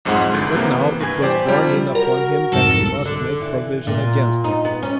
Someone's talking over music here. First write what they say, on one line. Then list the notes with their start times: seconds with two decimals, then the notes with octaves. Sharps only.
But now it was borne in upon him that he must make provision against it.
0.05 B1 F2 G#2 G#3 F#5 C6
0.32 G1 C2 D3 A6
0.55 C3 E3 A#3 B3
1.00 G2 E3 G#5 G#6
1.22 G4 C5 D5
1.46 C3 F3 G3
1.95 F#4 A#4
2.52 C2 F2 G#2 A4
3.05 D3
3.42 E3
3.87 A#2
4.44 D#4
4.65 B3
4.83 C#4